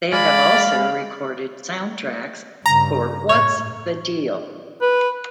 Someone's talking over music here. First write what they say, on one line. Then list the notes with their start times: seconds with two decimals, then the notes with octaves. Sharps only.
They have also recorded soundtracks for What's The Deal?
0.12 G#3 D5 F5 B5
2.66 G2 C#3 A#5
3.29 A2 C#5
4.81 B4